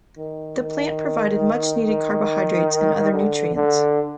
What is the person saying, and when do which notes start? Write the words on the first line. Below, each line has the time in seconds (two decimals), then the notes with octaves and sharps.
The plant provided much needed carbohydrates and other nutrients.
0.17 D#3
0.60 D#3
1.87 D#3
3.13 D3
3.56 D3